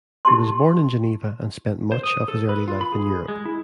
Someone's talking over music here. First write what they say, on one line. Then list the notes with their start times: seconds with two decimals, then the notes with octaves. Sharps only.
He was born in Geneva and spent much of his early life in Europe.
0.25 E4 G4 A5 C6
1.92 C5
2.03 D#6
2.28 A4
2.49 B4
2.68 F4
2.81 B5
2.92 G#4
3.28 G#3
3.45 E4